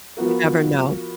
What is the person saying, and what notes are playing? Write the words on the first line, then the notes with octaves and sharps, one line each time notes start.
You never know.
F3 B3 F#4 A#4